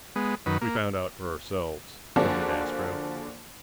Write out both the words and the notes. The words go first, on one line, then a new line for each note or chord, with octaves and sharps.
"We found out for ourselves," grunted Astro.
G#3 B3
F#2 D#3 B4
A#3
D3 F3 A#3 D4 F#4 G#4